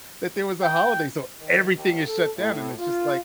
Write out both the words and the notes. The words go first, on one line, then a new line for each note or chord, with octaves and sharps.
that there was a holiday, so everything is shut down, and it's just, like,
G5
D#3
D#2
A4
A2
F4